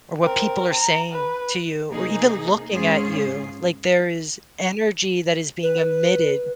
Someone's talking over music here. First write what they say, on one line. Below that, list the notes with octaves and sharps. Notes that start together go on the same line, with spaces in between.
Or what people are saying to you or even looking at you, like, there is energy that is being emitted.
C4 A#4
A#5
B4
C3 A#3 D#4 G#4
G#2 C#4 F4 G#4
B4